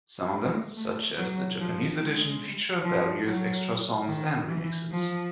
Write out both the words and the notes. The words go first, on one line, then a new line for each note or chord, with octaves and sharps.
Some of them, such as the Japanese edition, feature various extra songs and remixes.
G#3
A3
F#3
F3
G#3
F3
F#3
D#3
E3
F3